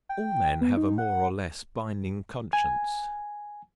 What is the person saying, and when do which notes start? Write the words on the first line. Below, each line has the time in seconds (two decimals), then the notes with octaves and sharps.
All men have a more or less binding conscience.
0.09 G5
0.61 B3
0.77 D#4
0.98 F#5
2.53 G#5